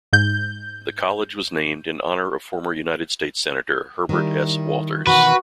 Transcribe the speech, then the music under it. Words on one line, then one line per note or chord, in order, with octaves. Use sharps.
The college was named in honor of former United States Senator Herbert S. Walters.
G#2 G6
D#3 G3 E4
B2 D#3 E3 F#4 B4